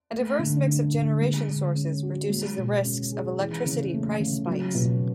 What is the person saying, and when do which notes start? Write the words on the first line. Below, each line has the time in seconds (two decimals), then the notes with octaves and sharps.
A diverse mix of generation sources reduces the risks of electricity price spikes.
0.12 A3
0.39 D3
0.67 D4
0.93 D3
1.21 G#3
1.48 D3
1.75 C#4
2.03 F#4
2.29 G#3
2.57 B2
2.84 C#4
3.12 G#4
3.39 E3
3.66 C#3
3.93 A3
4.20 C#3
4.47 F#3
4.74 B2